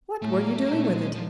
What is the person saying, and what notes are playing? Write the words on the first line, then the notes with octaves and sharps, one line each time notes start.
"What were you doing with it?"
A2 A3
A#3
A3
A#3
A#2 A3
A3
G#3
F3